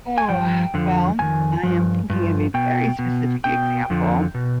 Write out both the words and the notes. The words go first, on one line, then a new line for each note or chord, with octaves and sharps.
Ugh, well, I am thinking of a very specific example.
G#5
G2 F3 G5
F2 D3 F3
F2 D#3 G#5
G2 F3
G2 F3
B2 G5
B2
B2 G5
F2 D3 F3
B2